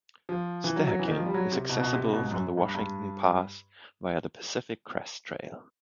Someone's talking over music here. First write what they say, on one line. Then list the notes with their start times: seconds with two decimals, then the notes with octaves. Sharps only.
Stehekin is accessible from Washington Pass via the Pacific Crest trail.
0.29 F3
0.64 E3
0.76 F#3
0.88 F#3
0.99 E3
1.08 D#3
1.17 F3
1.26 G3
1.34 F#3
1.52 C3
1.69 B2
1.81 B2
1.93 C3
2.05 C3
2.13 B2
2.22 G#2
2.31 F#2
2.57 G2
2.75 G2